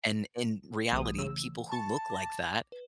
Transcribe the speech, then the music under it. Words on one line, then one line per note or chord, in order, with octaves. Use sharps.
and, in reality, people who look like that
B1 E3 A3 D#6
C#3 E6
A5 B5 C#6 A6 C#7
D6 A#6
B4